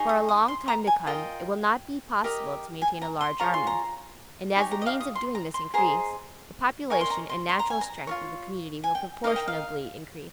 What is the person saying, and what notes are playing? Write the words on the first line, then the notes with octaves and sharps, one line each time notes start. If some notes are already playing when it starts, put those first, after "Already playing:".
For a long time to come, it will not be possible to maintain a large army; and as the means of doing this increase, the population and natural strength of the community will proportionably increase.
Already playing: D#4 G#4 C#5
D#6
D#6
C6
A#5
G#5
F4 A#4 D#5 G5
G4 A#4 D#5
G#5
A#5
C6
F4 G#4 C#5 A#5
C6
A#5
D#4 G4 C#5 G#5
A#5
D#5
F5
D#6
C6
A#5
C6
G#4 C5 D#5 A#5
D#4 A#4 C#5 G#5
C6
A#5
C6
C6
A#5
G#5
A#5
F4 A#4 C#5
G#5
G5
D#4 A#4 D#5 F5
G5
F5